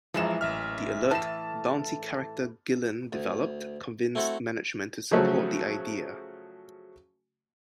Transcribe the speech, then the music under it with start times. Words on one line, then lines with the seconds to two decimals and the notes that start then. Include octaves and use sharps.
The alert, bouncy character Gillen developed convinced management to support the idea.
0.14 F#2 A#2 E3 F3 G#3 E7
0.41 A1 E5 F6
1.11 A2 E3 A5 E7
3.13 D2
4.15 A3 C4 E4 F#4 A4
5.11 C#3 F3 F#3 A3